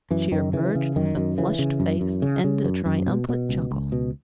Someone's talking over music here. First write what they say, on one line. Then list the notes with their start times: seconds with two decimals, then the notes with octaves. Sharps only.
She emerged with a flushed face and a triumphant chuckle.
0.11 F#2 E3
0.32 F#2 D#3
0.53 C#3 E3
0.75 C#3
0.96 F#2 D#3
1.16 F#2
1.38 C#3 E3
1.59 C#3
1.80 F#2
2.01 F#2
2.22 C#3
2.44 C#3
2.65 F#2
2.86 F#2
3.07 B2
3.29 B2
3.49 C#2
3.71 C#2
3.92 B2